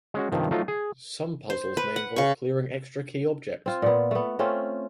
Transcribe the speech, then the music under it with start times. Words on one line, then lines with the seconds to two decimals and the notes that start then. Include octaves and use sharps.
Some puzzles may involve clearing extra key objects.
0.14 G#3 C#4 F#4
0.32 G2 C3 D#3 F3
0.51 F3 F#3 A3 D#4 F4
0.68 G#4
1.50 C5
1.77 B4
1.96 F#5
2.16 C#3 C#6
3.66 C4 F4
3.82 A#2 B3
4.11 A3 B3
4.39 A3 C4 C#4 F4